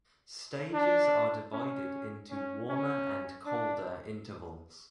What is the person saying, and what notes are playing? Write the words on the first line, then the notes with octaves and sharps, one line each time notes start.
Stages are divided into warmer and colder intervals.
D4
C#4
C#4
C#4
D4